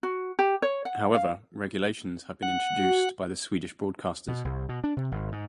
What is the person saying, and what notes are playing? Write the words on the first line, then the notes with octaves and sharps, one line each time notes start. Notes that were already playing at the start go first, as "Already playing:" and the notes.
However, regulations have been introduced by the Swedish broadcasters.
F#4
G4
C#5
F#5
F5
F#5
F#4
B2
C2
B2
D4
C3
G#1
G#2